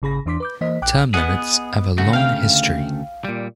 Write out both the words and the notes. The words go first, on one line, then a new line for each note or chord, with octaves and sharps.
Term limits have a long history.
G#1 C#3 G#4 B5 A#6
E2 E3 D4 C6 D6 B6
B4 D6 G6
E3 A#3 C5 D#5 B6
A#1 G5 D6 F#6
B3 G#4 D#5 F#5
D2 C#3 A3 F#4
F5 G5
A#2 G3